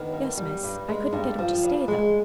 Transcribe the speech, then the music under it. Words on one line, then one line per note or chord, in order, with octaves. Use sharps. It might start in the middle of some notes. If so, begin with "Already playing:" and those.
"Yes, miss, I couldn't get him to stay though."
Already playing: D#3 B3 D4
G2
G3
G2
G#3
G2
F3
G2
G#3